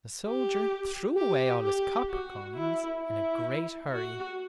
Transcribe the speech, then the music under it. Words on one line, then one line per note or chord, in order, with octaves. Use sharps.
The soldier threw away all his copper coins in a great hurry.
G4
G4
G4
F#4
E4
E4
F#4